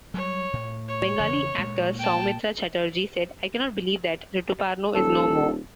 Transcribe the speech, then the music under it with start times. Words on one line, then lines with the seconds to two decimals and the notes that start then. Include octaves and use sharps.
Bengali actor Soumitra Chatterjee said I cannot believe that Rituparno is no more.
0.14 F#3 G3 C#5
0.53 A2
0.88 C#5
1.19 E1 C#3 E3
1.58 A#2 G#3 A#3
1.99 G5 A5
4.95 D#1 A4